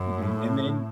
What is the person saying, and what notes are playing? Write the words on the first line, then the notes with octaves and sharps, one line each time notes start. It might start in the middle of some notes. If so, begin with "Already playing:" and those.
mhm, and then,
Already playing: F#2
A2